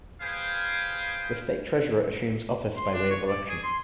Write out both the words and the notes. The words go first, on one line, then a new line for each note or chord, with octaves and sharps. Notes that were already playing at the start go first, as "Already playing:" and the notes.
The state treasurer assumes office by way of election.
G#4 B4 C5 F5 G5 G#5
C6
D4
C#5
D5
G#4
C6